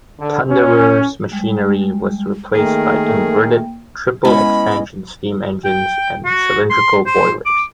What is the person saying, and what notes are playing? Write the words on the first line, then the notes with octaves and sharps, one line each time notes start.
"Thunderer"s machinery was replaced by inverted triple-expansion steam engines and cylindrical boilers.
D3
C#4
G3 G#3
D#3 A3 A#3 G#4 A#4 G5
G#3 B3 C#4 E4 D#5 B5
G5
F#4
C6
C5
D6